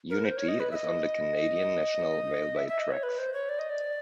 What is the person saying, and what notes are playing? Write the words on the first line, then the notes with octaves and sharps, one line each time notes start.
Unity is on the Canadian National Railway tracks.
A#4
C5
C#5
D#5
B4
E5
D#5
E5
E5
D#5
C#5
B4
C5
C#5
D5
D#5
D5